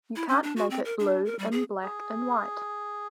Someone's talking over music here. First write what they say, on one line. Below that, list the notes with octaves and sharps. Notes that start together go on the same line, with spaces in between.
You can't make it blue in black and white.
E4
C#4
D4
F#4
C4
A#4
D4
A#4
G3
G#4
G#4